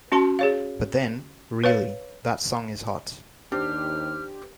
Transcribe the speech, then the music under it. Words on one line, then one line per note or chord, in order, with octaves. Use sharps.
But then, really, that song is hot.
C#4 F#4 A5 C6
G#4 C#5 F5
B4 C#5 F5
D#2 D4 G4 C5 F6